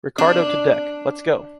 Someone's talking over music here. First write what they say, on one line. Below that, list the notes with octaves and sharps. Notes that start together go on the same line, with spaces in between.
Ricardo to deck, let’s go!
D4